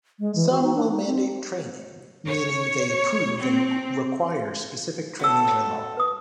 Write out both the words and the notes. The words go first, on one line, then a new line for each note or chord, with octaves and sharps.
Some will mandate training, meaning they approve and require specific training by law.
G#3
E3
F#4
D#4
D4
D#4
C4
C#5
C4
B3 C#4 F#4 A4 E6
B4 D#6